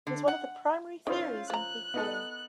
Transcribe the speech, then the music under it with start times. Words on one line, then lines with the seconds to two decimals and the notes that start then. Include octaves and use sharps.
It is one of the primary theories on peak oil.
0.07 D3
0.28 F#5
1.07 D#3 C#4 E4 F4 C5
1.50 F3 A#5 F#6
1.94 B3 D#4 A4